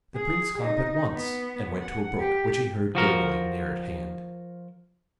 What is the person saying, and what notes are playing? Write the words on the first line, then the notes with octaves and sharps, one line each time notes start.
The prince got up at once and went to a brook which he heard gurgling near at hand.
G#4
D#4
B3
F#5
G4
F3 F#4 A#4